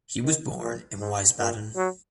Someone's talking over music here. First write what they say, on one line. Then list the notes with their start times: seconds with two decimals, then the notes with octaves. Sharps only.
He was born in Wiesbaden.
0.24 D#3
0.61 A#2
0.99 G#2
1.39 A#2
1.76 F#3